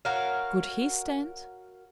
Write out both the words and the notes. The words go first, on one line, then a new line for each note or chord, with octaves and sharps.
Could he stand?
F#4 A#4 C#5 F5